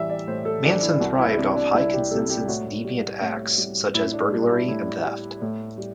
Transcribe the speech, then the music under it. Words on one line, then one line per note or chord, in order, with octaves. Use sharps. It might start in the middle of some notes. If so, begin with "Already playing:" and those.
Manson thrived off of high-consensus deviant acts such as burglary and theft.
Already playing: A2 E3 G3 E5
D5
A2 C5
A4
E3 G3 D4
E4
C2 F#4
E4
C3 G3 D4
D4
C2 E4
G4
C3 G3 A4
G4
A2 F#4
G3
A2
G3
A2 E4
D4
G3 D4
D4
E4
A2 E4
G3
A2
G3